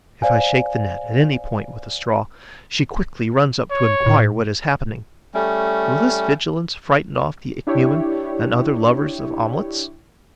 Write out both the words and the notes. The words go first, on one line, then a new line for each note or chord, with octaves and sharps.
If I shake the net at any point with a straw, she quickly runs up to enquire what is happening. Will this vigilance frighten off the Ichneumon and other lovers of omelettes?
C5 D5 F5 G#5
C#5
A2
G3 A3 C#4
D4 E4 G4 C#5